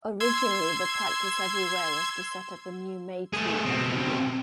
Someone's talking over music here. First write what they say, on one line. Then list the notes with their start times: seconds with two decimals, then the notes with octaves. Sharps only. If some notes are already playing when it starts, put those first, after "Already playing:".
Originally the practice everywhere was to set up a new May-tree every year.
0.20 C6 E6 G#6
3.33 A3 G#4
3.66 B2 C4